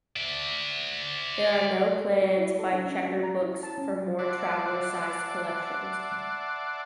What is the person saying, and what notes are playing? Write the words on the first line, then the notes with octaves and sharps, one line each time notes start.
There are no plans by Checker Books for more traveler-sized collections.
D5 E5
F#4
E4
A4
D4
C#4
F#4
A#5
E4
A5
C#4
D5 E5 F#5 A5 C6 D6